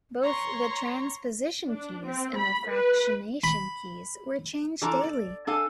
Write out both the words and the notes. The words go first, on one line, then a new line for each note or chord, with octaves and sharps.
Both the transposition keys and the fractionation keys were changed daily.
C#5 A#5 C6 C#6
D4
C4
B5
B4
B5
E3 F3 D4 A4 A#5
D5
D4 A4 F5 G#5